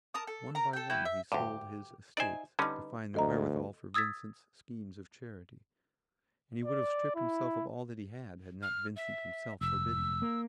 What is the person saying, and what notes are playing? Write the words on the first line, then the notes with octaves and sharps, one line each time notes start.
One by one he sold his estates to find the wherewithal for Vincent's schemes of charity, and he would have stripped himself of all that he had, had not Vincent himself forbidden it.
A#4 A5 D#6
A4
A#4 A#5
A4 G5
E4 F#4 G4 B4
E5
D2 G2 G4
D#4 C5 D5 E5 G#5
D3 G3 C#4 D#4 B4
D2 A4 D#5 A#5
D#6 E6 G#6 A6 B6
D5
E4
F6
E5
F1 E6
A#3